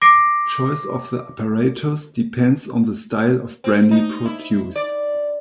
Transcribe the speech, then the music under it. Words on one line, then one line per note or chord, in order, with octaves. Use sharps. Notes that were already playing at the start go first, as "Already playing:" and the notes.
Choice of the apparatus depends on the style of brandy produced.
D6 A#6 C7 D7
C4
D#4
E4
D5